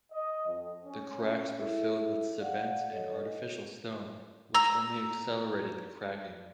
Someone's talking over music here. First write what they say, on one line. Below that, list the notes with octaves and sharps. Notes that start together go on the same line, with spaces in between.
The cracks were filled with cement and artificial stone which only accelerated the cracking.
D#5
F2
C#4
E4 G#4 A4 E5
D5 F5 F#5
A4 C#5 D#5
A#5 E6